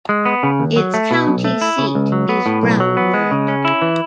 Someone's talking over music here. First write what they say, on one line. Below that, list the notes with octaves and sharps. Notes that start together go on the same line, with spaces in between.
Its county seat is Brownwood.
G#3
B3
C#3
D#2
F#3
A3
B2
B1
A3
E4
C#3
C#2
F#3
B3
A2
B1
F#3
B3
G#3
C#3
C#4
E4
E3